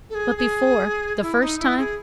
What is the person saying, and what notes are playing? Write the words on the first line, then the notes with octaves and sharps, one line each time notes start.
But before--the first time?
A4
G#4
G#4
E4
D#4
E4
G#4